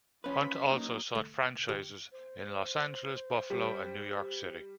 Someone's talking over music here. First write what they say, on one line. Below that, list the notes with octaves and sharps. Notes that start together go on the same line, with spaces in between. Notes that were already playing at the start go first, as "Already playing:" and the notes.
Hunt also sought franchises in Los Angeles, Buffalo and New York City.
F3 C#4 B4 B5
F#3 A#3 D#4
A3
G4
C5
G3